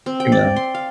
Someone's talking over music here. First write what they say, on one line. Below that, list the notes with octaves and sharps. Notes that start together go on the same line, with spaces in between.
you know?
C4
G5
D5
C6
F5